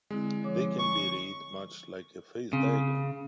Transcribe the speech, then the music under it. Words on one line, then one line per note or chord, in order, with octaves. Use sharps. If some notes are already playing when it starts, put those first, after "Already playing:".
They can be read much like a phase diagram.
D3 G#3 C4 E4
F3 C#5 D6
C#6
C#3 C4